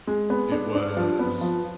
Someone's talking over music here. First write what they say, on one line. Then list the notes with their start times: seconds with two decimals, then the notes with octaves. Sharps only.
It was
0.07 G#3
0.30 B3
0.52 D4
0.75 D4
0.97 F3
1.19 B3
1.41 F3